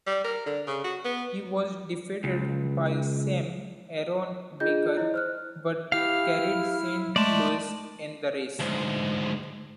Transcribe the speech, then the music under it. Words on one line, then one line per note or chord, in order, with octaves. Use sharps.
He was defeated by Sam Aaron Baker, but carried Saint Louis in the race.
G3
A#4
D3
C#3
F#4
B3
C#2
D4 F4 G#4 D#5 G6
E4 C#5 D#5
C5 F6 F#6
E4 G4 F5 F6
G#3 A3 D5 A5 C6
D2 G#2